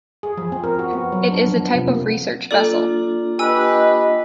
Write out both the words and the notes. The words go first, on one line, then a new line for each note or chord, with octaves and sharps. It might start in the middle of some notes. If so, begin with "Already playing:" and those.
It is a type of research vessel.
G#4
F3
C4
A#4
F#4
B3
F#3
D4
F3
B3
C3
A#3
A#3 D4 F4 A4 D5
G4 B4 D#5 G#5 E6